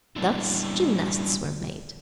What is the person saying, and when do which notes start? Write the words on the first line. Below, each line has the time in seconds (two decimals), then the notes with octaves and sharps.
Thus gymnasts were made.
0.16 G3 B3 D4 E4